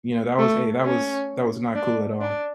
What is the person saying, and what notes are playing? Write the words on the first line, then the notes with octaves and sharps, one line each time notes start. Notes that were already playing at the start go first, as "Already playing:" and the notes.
you know, that was a that was that was not cool at all.
A3
C#4
D4
D4